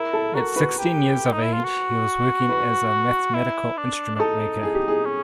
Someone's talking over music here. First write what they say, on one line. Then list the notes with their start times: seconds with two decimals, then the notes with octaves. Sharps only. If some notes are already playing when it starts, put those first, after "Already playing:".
At sixteen years of age he was working as a mathematical instrument maker.
Already playing: E4 A#4
0.13 A4
0.34 F#4 A#4
0.56 B4
0.78 G4
1.32 D#4
1.42 E4
1.53 F4
1.64 F#4
2.49 B4
3.34 E4
3.77 D4
4.15 D4
4.20 D#4 A4
4.63 G#4
4.75 G4
4.88 G#4
5.05 C#4